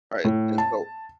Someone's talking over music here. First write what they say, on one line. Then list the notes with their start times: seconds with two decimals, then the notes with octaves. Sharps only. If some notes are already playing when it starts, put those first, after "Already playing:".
right? And so
0.24 A2
0.58 A5